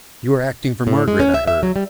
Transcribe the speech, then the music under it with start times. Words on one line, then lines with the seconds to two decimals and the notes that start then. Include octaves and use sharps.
"You are acting for Margaret, I heard."
0.87 A2
1.08 G#3
1.20 C#4
1.34 E5
1.47 E5
1.63 F#3
1.76 G3